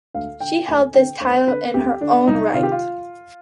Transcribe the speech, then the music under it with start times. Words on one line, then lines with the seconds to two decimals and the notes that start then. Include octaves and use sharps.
She held this title in her own right.
0.14 D2 F5
0.40 D3 G5
0.67 D2 G#5
0.94 D3 G5
1.20 D2 C5
1.47 D3 B4
1.74 D2 G4
2.01 D3 D4
2.28 C2 D#4
2.54 C3 D#3 F4
2.63 G4
2.72 F4